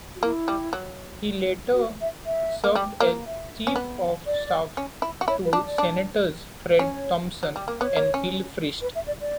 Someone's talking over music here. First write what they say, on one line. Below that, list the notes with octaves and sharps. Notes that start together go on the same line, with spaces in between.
He later served as chief of staff to Senators Fred Thompson and Bill Frist.
F#4
A#3 E4
G3
F#3
F#4
E5
E5
A#3
G3
A#3
E5
C#4
B3
D5
C#4
E4
F#4
E4 C#5
B4
D4
D5
D4
C#4 C#5
F#3
G3
A#3
B3 C#5
A#3
C#4
B4
E5
D5
D5